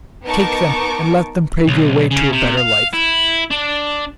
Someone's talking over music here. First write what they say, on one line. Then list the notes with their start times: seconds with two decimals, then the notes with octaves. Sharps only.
Take them and let them pave your way to a better life.
0.24 B3 D#4 A#4 A5 C#6 D6
1.68 B1
2.11 C#3
2.33 C3
2.58 F5
2.94 E4
3.51 D4